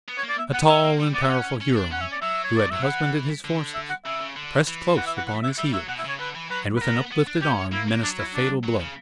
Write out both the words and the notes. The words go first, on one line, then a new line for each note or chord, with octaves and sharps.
A tall and powerful Huron, who had husbanded his forces, pressed close upon his heels, and with an uplifted arm menaced a fatal blow.
B3
C#5
A#3
D5
E5
B3 F#5
C#4 E5
A#3
G3
B3 D5
E5
C#4 F#5
C#4
D4
C#4 F#5
E5
D5
F#3 E5
C#5
D5
F#3 E5
E3 F#5
D3
E5
F#5
C#3 E5
C#3
D3
E3
F#5
E5
F#5
F#5
E5
G3 E5
F#3 E5
B2 F#5
E5
C#3 C#5
D3 B4
E3
F#3 B4
B4
B3 A#4
B3
D4
C#4 G4
A#3 E4
A#3
F#3 D4
E4
D4
F#3
C#3